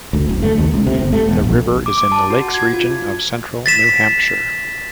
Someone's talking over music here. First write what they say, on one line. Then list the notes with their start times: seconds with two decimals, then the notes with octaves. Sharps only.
The river is in the Lakes Region of central New Hampshire.
0.13 D2
0.29 F#1
0.42 A3
0.58 D#2
0.74 C#2
0.87 C3
0.99 G1
1.13 A3
1.29 E1
1.44 A#1
1.86 D6
1.98 D6
2.12 A5
2.30 F#4
2.54 G#6
2.73 F4
3.66 A6 B6 E7